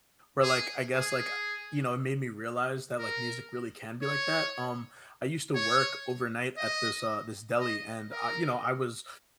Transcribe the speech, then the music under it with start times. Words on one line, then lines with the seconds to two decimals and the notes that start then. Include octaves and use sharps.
where, like, I guess, like, uh, you know, it made me realize that, like, music really can be like that. Um, I used to work overnight at this, uh, this deli, and I you know, I was
0.43 G#4
0.94 G#4
2.99 A#4
4.02 C#5
5.55 C#5
6.57 D#5
7.60 D#5
8.11 A#4